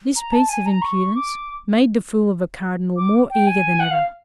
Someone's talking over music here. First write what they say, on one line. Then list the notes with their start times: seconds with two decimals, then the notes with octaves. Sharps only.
This piece of impudence made the fool of a cardinal more eager than ever.
0.16 A#5
0.32 A5
0.49 G#5
0.66 A#5
0.82 C#6
1.15 D6
2.97 D6
3.30 G5
3.46 G#5
3.80 F#5
3.91 F5